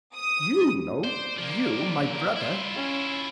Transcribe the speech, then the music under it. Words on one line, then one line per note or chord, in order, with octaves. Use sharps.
"You know,--you, my brother."
D#6
C5 D5
F3 A#3
E4 F4
C#4